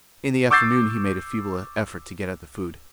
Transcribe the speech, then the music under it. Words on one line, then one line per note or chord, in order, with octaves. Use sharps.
In the afternoon he made a feeble effort to get at the food.
C#6 D6 E6 G6 A6 C7